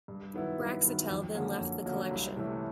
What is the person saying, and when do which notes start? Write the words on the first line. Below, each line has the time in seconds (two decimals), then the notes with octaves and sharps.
Braxiatel then left the Collection.
0.08 G2
0.34 D#3 F#3 B3 E4
0.59 G2
0.84 D#3 F#3 B3 E4
1.09 F2
1.34 D3 F#3 A#3 C#4
1.60 F2
1.86 D3 F#3 A#3 C#4
2.10 C2
2.36 C3 E3 A3 C#4